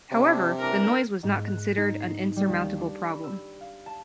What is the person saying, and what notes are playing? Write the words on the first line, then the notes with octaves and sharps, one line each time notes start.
However, the noise was not considered an insurmountable problem.
C3 D4
E3 D4 A#4
G#2
F#6
D#4
C7
G3
D#2
D4
B5
E6
F5
A5